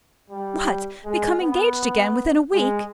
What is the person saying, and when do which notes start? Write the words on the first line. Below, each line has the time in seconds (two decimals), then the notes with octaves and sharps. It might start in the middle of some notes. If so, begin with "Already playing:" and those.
"What; become engaged again within a week!"
0.30 G3
1.05 G#3
1.42 B3
2.54 G#3